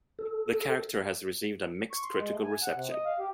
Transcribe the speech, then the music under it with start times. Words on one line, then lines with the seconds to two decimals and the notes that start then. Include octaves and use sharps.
The character has received a mixed critical reception.
0.19 A4
1.91 C#6
2.03 C6
2.18 G#3
2.32 A3
2.44 G#5
2.62 F#5
2.74 C3
2.91 D#5
3.05 F5
3.19 G4